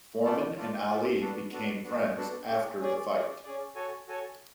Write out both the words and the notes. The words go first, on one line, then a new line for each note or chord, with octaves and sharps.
Foreman and Ali became friends after the fight.
A3 F4 A4 D5
A3 F4 A4 D5
A3 F4 A4 D5
B3 D4 F#4 A4
B3 D4 F#4 A4
B3 D4 F#4 A4
B3 D4 F#4 A4
C#4 G#4 D5
C#4 G#4 D5
C#4 G#4 D5
C#4 G#4 D5
F#4 A4 C#5 G#5
F#4 A4 C#5 G#5